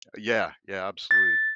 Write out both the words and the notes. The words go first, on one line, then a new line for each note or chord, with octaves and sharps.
Yeah. Yeah, absolutely.
A6